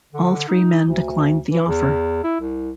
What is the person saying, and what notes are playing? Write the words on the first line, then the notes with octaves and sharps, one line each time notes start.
All three men declined the offer.
D3
D#4
D2
E3
E2
E4
C2